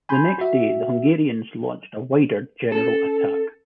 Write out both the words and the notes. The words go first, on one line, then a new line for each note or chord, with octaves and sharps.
The next day the Hungarians launched a wider general attack.
G#5 B5 C6 G6
F#4 E5
C#4 A4